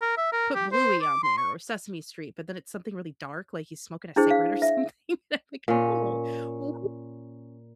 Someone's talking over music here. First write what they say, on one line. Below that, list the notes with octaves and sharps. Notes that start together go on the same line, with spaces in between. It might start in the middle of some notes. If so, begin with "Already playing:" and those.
put Bluey on there or Sesame Street, but then it's something really dark, like he's smoking a cigarette or something, and I'm like, "No, well, who
A#4
E5
A#4
G4
C5
D6
C6
C#6
D4 E4 G#4 C5
F5
E5
A#2 C#4